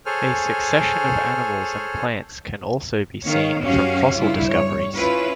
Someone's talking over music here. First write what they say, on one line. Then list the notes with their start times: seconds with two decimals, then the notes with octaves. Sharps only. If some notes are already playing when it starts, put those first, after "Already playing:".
A succession of animals and plants can also be seen from fossil discoveries.
0.06 G#4 A4 C5 C#5 G#5 F6
3.25 D#3 C#5 F5
3.62 F#2 C#4 F#4 G4 F5
4.17 G2 C#3 G3 E4 F4
4.48 G3 C#5
4.96 C#4 E4 F4 B4